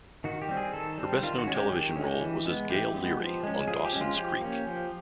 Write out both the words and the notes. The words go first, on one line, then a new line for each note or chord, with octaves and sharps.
Her best known television role was as Gail Leery on "Dawson's Creek".
D#3 F#4
G4
G3 C4
G#4
D#3 A4
G3 C4
D#3 F4
F#4
G#3 C#4
G4
D#3
G#3 C#4
E3
G#3 B3
E3 G4
G#3 B3
F3
G#3 C#4
F3 G#4
G4
G#3 C#4
F4
F3 G4
A#3 C#4
F3